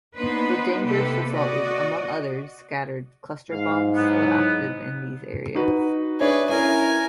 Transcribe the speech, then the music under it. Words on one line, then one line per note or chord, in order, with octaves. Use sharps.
The dangerous result is, among others, scattered cluster bombs, still active in these areas.
A#3 B3 D4 D#4 B4 C5
C3 A#3 G4 A4 B4
F#4 D5 D#5
G#2 F5
A2 F#3 B3
D#4 F#4 B4
D4 G#4 B4 C#5 E5
C#4 E4 A#4 G#5